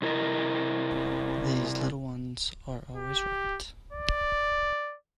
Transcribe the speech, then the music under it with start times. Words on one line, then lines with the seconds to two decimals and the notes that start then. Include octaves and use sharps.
These little ones are always right!
0.02 C3 E4 A#4 C5 D#5 A#5
2.96 G4
3.93 D5